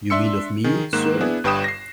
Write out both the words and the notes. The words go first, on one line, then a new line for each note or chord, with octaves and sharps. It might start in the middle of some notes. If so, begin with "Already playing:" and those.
You mean of me, sir?
D4 E5 C6 E6 C#7
D#3 G#4
G#2 D#3 A#3 F#6 E7
B3 D4 E4 G#4
G1 G2 B4 G5 D#6 E7
A#6 C7